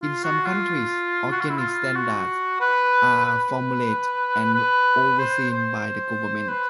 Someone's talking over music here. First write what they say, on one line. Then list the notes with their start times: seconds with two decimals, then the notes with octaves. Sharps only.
In some countries, organic standards are formulated and overseen by the government.
0.03 F4
0.24 F#4
0.46 F4
1.32 F#4
1.40 F4
1.49 E4
1.58 F4
1.96 F#4
2.60 B4
3.25 B4
4.55 B4
5.19 C5
5.51 C5
6.48 B4